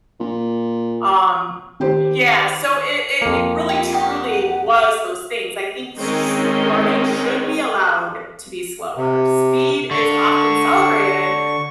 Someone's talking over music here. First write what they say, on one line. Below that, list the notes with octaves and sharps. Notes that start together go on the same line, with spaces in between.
Um, y yeah, so i i it really truly was those things. I think s learning should be allowed to be slower, speed is often celebrated,
A#2
D#3 G4 C5
F2 A#3
F4 G4
D#4 G4 F#5 D#6
D#3 G#3 C4 C#4 D#4
C3
D3 C#6